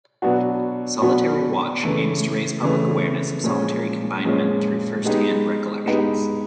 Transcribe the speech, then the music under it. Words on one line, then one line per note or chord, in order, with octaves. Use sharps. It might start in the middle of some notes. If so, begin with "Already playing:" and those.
Solitary Watch aims to raise public awareness of solitary confinement through firsthand recollections.
B2 F#3 B3 D4 F#4
B2 F#3 B3 D4 F#4
C#3 E3 A3
C#3 E3 A3
A#2 F3 G#3 C#4
A#2 F3 G#3 C#4
G#3 B3 D#4 G4
G#3 B3 D#4 G4